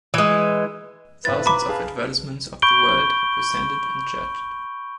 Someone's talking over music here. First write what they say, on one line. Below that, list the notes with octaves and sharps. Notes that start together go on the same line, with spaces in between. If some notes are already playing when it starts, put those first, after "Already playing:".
Thousands of advertisements of the world are presented and judged.
E3 G#3
B1 E4 B4 C5 A6
A#5 B5 D6
G#4 F5 A5
B5 C#6 G6 D7 G7